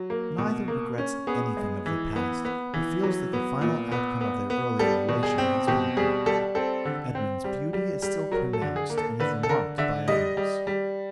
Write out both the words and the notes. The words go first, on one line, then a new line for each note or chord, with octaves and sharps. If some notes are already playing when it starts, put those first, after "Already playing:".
Neither regrets anything of the past, but feels that the final outcome of their earlier relation has been good. Edmund's beauty is still pronounced, and is remarked by others.
Already playing: F#3
A#3
B2
A#3
C#4
B3 G#4
G#3
E3
B3
B3
E3
F#3
B3
A#2
B3
B3
B3
G3 A4
B2
G#4
C4
B2 G4
G3 G#4
G3 A4
C4 A4
D3
C4
G3
G3
G3
F#3 A#4
A4
D3
G#4
A#3
A4
D3 B4
A4
D3 A#4
D3 E5
G3 D#5
G3
G3